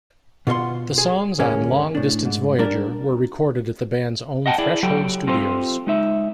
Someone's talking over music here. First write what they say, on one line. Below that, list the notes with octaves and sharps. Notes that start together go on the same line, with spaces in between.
The songs on "Long Distance Voyager" were recorded at the band's own Threshold Studios.
B2 F4 A4 E5 F#5 C6
G#4
D#2 G#2 C#3 A#3 C#4 G#4
A2 D4
G#2
G3 D4 A#4
D#5 F#5 G5 A5
E4 G#4 D5
F#3 G4 A4 G5
C4 F4 G4 A4 C5
G#3 D#4 E5